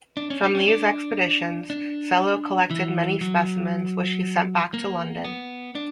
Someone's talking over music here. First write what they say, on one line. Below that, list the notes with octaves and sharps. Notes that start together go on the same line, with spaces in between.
From these expeditions Sellow collected many specimens which he sent back to London.
D4
C#4
D4
C#4
D4
D4
E3
F#3
A#3
B3
D4